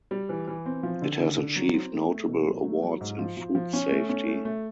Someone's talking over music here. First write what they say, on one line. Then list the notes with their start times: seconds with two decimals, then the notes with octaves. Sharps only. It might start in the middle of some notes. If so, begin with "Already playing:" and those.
It has achieved notable awards in Food Safety.
0.11 G3
0.29 E3
0.48 E3
0.66 C4
0.83 F3
1.02 D3
1.20 D3
1.38 D3
1.56 F#3
1.74 C4
1.92 A3
2.10 A3
2.28 B2
2.47 F#3
2.65 A3
2.83 F#3
3.01 G#2
3.19 F3
3.37 F3
3.55 F3
3.73 C#4
3.91 A3
4.09 C#4
4.27 A3
4.45 A3